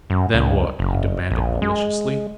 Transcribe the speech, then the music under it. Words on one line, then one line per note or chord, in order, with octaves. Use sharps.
"Then what?" he demanded maliciously.
F#2
C#2
F#1
A#1
G#3